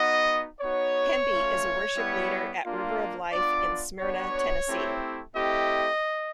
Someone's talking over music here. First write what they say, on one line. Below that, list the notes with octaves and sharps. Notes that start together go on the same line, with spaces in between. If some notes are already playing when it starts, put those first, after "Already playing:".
Hemby is a worship leader at River of Life in Smyrna, Tennessee.
Already playing: B3 D#4 F#4 D#5
B3 D#4 F#4 C#5
A3 C#4 F4
G3 B3 E4
A#3 D4 F4
B3 D4 F4 D5
B3 D4 F#4 C#5
A3 C4 E4 G4
A3 C4 E4 G4 D#5